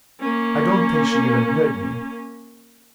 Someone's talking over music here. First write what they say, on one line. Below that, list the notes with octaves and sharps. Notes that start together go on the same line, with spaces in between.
I don't think she even heard me.
A#3 C#4